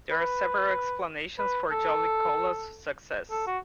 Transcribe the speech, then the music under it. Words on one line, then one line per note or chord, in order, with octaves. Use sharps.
There are several explanations for Jolly Cola's success.
B4
B4
A4
A4
F#4